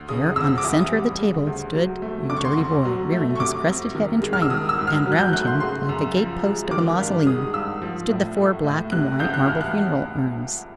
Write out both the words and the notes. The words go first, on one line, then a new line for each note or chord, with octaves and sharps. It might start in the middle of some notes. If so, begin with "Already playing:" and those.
There, on the centre of the table stood You Dirty Boy rearing his crested head in triumph, and round him like the gate posts of a mausoleum stood the four black and white marble funeral urns.
Already playing: D2
C#3 D#6
F2 E6
D6
E3 D#6
G3
C#3
D2
F#3
A3
D3 D6
C#6
C6
C#6
F2
F#3
A3
C#6
C3 D6
F2
D#3
G#3
F6
E6
D#3 D#6
E6
G#2
F6
F#3
F#6
G6
A3 F#6
C6
C#3 C6
F#2
F3
G#3
D#3 D6
G2
G#3 D#6
G2 E6
F3
A2
A3
A2
C3 F#6
C#2 G6
F#6
E3 F6
F#6